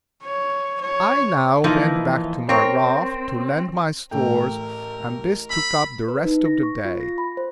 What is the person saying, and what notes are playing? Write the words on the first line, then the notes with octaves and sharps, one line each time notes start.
I now went back to my raft to land my stores, and this took up the rest of the day.
C#5
C#5
E3 F3 A#3 D#4
C4 A#4 C#5
A1 A3 A#4 G5
B5 E6
B4
D#4
A#6
C#6
F4
A#6
B5
C5